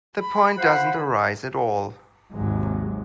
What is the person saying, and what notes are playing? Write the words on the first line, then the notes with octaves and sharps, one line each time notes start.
The point doesn't arise at all.
B5
F4 C5 F#5
G#1 D#2 G#2 C3 F#3 G#3